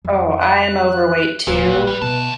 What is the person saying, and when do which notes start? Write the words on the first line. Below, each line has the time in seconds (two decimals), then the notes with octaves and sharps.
Oh, I'm overweight too.
0.05 F2
0.40 F#6
1.47 D#1 A#2 B4
1.66 A1
1.87 G3
2.02 D2 B2 A5